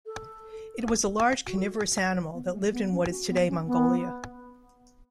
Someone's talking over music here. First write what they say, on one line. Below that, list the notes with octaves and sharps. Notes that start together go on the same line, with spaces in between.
It was a large, carnivorous animal that lived in what is today Mongolia.
A4
F#4
A4
B3
A3
B3
C#4
F#4
B3
C#4
B3